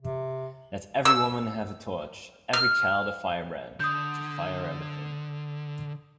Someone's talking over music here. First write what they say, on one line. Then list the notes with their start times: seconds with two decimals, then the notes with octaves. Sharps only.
"Let every woman have a torch, every child a firebrand" to fire everything.
0.02 C3
1.05 E6
2.53 F6
3.80 D3 D#6 G6